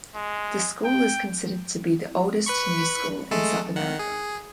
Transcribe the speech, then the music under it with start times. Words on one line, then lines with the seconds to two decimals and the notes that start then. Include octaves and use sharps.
The school is considered to be the oldest new school in South America.
0.15 G#3
0.84 G5
2.46 B4 B5 C#6
3.31 G#3 A3 A4
3.76 D#3 F#5
3.99 G#4